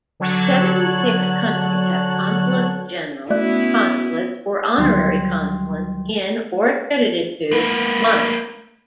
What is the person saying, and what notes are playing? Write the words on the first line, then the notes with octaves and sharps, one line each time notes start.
Seventy-six countries have consulates general, consulates, or honorary consulates in or accredited to Monaco.
D3 F#3 C#5 A5 F#6
A3 B3 C#4 E4 F#4 D5 F#6
D2 D#3 F#3 G3 G5 C6
A#3 B4